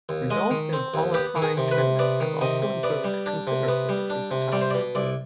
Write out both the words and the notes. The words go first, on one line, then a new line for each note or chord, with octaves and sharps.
Results in qualifying tournaments have also improved considerably in recent times.
D#2
G#3 D#5
D#3
C4
D#2
B3 G4
D#3
G#4
C3
B4
C3
B3 D5
D#3
C3 D#5
C3
B3 D5
G3
D4
C3
B3
G3
D4
C3
G3 D5
C5
D5
B2
C2 D5